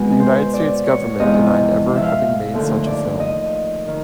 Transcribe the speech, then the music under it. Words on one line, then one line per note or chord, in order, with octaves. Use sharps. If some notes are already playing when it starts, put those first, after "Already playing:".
The United States government denied ever having made such a film.
Already playing: B2 G#3
C5
D5
C#5
E2 C3 F3 G#3 D#5
F5
E5
F5
D#2 D3 F3 A3
D5
D#5
D#3